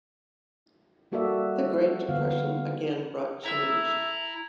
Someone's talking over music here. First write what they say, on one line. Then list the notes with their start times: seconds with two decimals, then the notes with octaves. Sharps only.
The Great Depression again brought change.
1.12 G3 A#3 F#4 A4 D5 E5
2.09 D3 E3 B3 F5
3.43 E4 A4 E5 A#5 E6